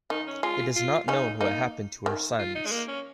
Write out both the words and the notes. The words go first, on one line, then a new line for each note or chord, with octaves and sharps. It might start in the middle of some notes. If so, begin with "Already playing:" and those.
It is not known what happened to her sons.
D#3 D#4
C#4
G#3 F4
F4
C#3 C#4 D#4
A#3 D#4
D#3
F4
D#4
G#3
A#3
C#4